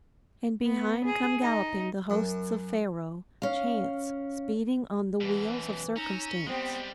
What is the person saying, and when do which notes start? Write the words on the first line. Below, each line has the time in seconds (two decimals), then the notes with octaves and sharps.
And behind come galloping the hosts of Pharaoh; chance, speeding on the wheels of circumstance.
0.65 B3
1.05 G#4
1.42 D#4
2.10 F#2
3.42 C#4 F5
5.21 F#2 B2 E3
5.96 C#4 D#4 A#5 E6
6.46 G3 G#3 B3 C4 G4